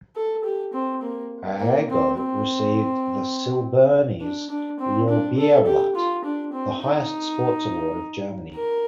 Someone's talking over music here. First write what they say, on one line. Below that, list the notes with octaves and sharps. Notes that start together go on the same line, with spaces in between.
Aogo received the Silbernes Lorbeerblatt; the highest sports award of Germany.
A4
G4
C4
A#3
A#3
C4
C4
D4
D4
C4
D4
A4
G4
F4
D4
C4
D#4
A#4